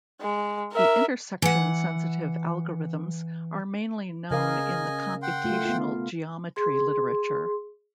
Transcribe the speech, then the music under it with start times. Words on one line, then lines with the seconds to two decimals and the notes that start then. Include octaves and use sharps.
The intersection-sensitive algorithms are mainly known in the computational-geometry literature.
0.21 G#3
0.73 A#4 E5
1.42 E3 F#5
4.31 C#3 A#4 D#5 F5 G#5
5.22 F#5 G5 C6
5.44 A3 F4
5.65 B3 F4
6.56 G#4 C6